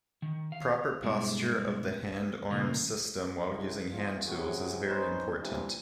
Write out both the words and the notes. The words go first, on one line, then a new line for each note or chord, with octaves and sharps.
Proper posture of the hand-arm system while using hand tools is very important.
D#3
F5
G2 B2 G#3 A3 E4
A#2 C#3 E3 A3 A#3
C2 C#3
E2 F4
F#2 A2 C3 C#4 F#4 G#4
B3 C#4 D#4 B4 C5
C3 E3 G3 C4 D4 F4